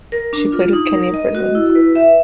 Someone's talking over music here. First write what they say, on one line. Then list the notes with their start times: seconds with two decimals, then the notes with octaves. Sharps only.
She played with Kenya Prisons.
0.12 A#4
0.33 D4
0.52 F4
0.73 D#4
0.94 A#4
1.14 D#5
1.35 F#4
1.55 E4
1.75 B4
1.95 E5